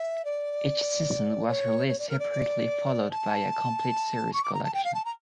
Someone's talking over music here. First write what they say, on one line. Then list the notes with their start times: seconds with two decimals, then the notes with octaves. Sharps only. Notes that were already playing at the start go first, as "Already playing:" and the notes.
Each season was released separately followed by a complete series collection.
Already playing: E5
0.25 D5
1.47 C#5
1.88 C#5
1.99 D5
2.09 A#4
2.19 D5
3.11 A5
4.33 C#6
4.43 D6
4.54 A#5
4.64 A5
4.74 G5
4.84 F5
4.94 A5
5.05 A#5